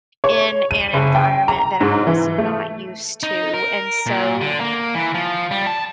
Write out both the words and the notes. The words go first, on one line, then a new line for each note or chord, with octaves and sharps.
in an environment that I was not used to, and so,
C#5
D#7
F#1
G5
A#5
G#2
E3
A3
D#4
A#4
A#2
D3
A#3
E3
F3
G3
A5